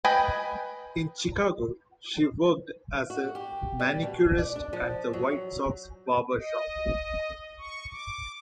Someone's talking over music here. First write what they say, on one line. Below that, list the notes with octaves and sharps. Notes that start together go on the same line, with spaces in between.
In Chicago, she worked as a manicurist at the White Sox Barber Shop.
B4 D#5 G5 G#5 B5
F#4
G4
G3
B2
D5
D4
F3
F#3
D#5
C#6
D6